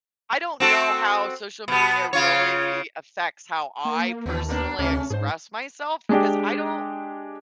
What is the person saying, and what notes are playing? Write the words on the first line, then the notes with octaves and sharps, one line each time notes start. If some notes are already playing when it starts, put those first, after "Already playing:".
I don't know how social media really affects how I personally express myself, because I don't
C4 F#4 A4
B2 B3
C#3 F4 C#5
A#3
D#2 E3 A3 B3
A#3 B3 D4
D2 C3 A3 C#4
G#2 G#4 C5
G#3 D4 G4